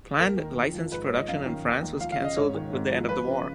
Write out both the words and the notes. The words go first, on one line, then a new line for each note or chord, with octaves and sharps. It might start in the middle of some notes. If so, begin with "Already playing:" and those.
Planned licensed production in France was cancelled with the end of the war.
D#2 A#4
D#3
F2
F3
G#2 B4
C#5
F3
D#5
F#2 F5
D#3
D#2
D#3
F3 F5
F5
C#3
D#5
G#2 C#5
D#3
G#2
F3
F3 B4
C#3